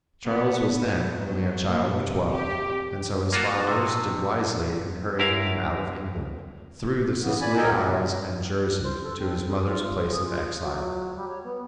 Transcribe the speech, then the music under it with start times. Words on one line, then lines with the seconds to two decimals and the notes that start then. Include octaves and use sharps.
Charles was then only a child of twelve, and so his followers did wisely in hurrying him out of England, through the Scilly isles and Jersey to his mother's place of exile.
0.24 B3
0.72 B3
1.21 F#3
1.68 A#2
1.97 C3
2.31 G4
3.33 A#3 F4 F#4 A4
3.67 C3 F3
5.19 F#2 E4 A#4 F5
7.23 C#3 E3 B3
7.41 D5 G#5 B5
7.57 D#4 A4 A#4 D#5 G5 G#5
7.73 A#2 G#3
7.87 C3
8.83 C5
9.03 A4
9.19 C4
9.46 G#3
9.66 F4
10.10 G#4
10.26 F4
10.63 F#3
11.16 G3
11.28 C#5
11.44 B3